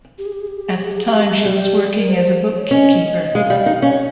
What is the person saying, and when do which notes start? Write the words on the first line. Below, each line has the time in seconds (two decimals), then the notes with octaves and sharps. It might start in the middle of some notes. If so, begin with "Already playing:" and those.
At the time she was working as a bookkeeper.
0.18 G4
0.26 G#4
0.32 G4
0.40 G#4
0.47 G4
0.55 G#4
0.62 G4
0.69 G#4
0.76 G4
0.84 G#4
0.91 G4
0.98 G#4
1.06 G4
1.13 G#4
1.20 G4
1.27 G#4
1.35 G4
1.41 G#4
1.45 G3 G4
1.87 G#4
1.97 A#4
2.09 C5
2.44 C5
2.57 C#5
2.71 C#4 D#5
3.24 D#5
3.35 G#3 F5
3.50 G3
3.66 D#4
3.82 C#4
3.90 C#5